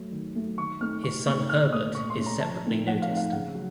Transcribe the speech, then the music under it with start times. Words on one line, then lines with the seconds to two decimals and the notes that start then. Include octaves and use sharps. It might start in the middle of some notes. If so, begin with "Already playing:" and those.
His son Herbert is separately noticed.
Already playing: F#3 A3
0.12 D#3
0.35 F#3 A3
0.58 D#3 C#6
0.81 A3 C4 D#4 F6
1.03 D#3 C#6
1.27 A3 C4 D#4 C#6
1.49 A#2 F6
1.72 A3 C#4 D#6
1.95 A#2 C#6
2.10 C6
2.18 A3 C#4
2.26 A#5
2.41 F3 A5
2.64 A3 C4 D#4
2.86 F3 F#5
3.02 F5
3.09 A3 C4 D#4
3.17 F5
3.32 C#3 F#5
3.55 F#3